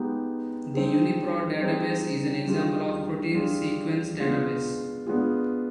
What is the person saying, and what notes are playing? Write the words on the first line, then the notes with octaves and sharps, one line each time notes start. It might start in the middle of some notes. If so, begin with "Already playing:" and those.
The UniProt database is an example of a protein sequence database.
Already playing: G#3 B3 D#4 G4
G3 C4 D#4 G#4
G3 C4 D#4 G#4
G3 D4 F4 G#4
G3 D4 F4 G#4
G#3 B3 D4 F4 G#4
G#3 B3 D4 F4 G#4